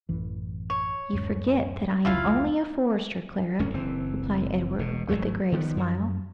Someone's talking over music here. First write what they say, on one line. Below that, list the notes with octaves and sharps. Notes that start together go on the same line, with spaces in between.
"You forget that I am only a forester, Clara," replied Edward, with a grave smile.
A1 F#2 E3
C#5
D1 F#2
F1 C#2 E4 F4 F5
D1 G2 C#4
F#1 E3 C4
E1 B2
G#1 D2 F#3 A3
D#3 F3 G3 B3
F#2